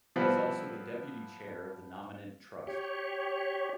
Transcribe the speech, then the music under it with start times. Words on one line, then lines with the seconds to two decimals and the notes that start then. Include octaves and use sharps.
He is also the deputy chair of the Nominet Trust.
0.16 F3 G3 B3 C4 E4
2.67 G4 C#5